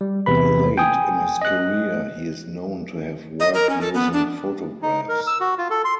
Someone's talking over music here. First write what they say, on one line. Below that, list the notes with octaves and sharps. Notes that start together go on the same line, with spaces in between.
Late in his career, he is known to have worked using photographs.
G3
E2 C3 B4 B5
G5 G#5 D#6
D#5 F#6
D#5
A#4
C#4
A4
B3
D4
D#4
A#4
E6
F#4
F4
A4
C6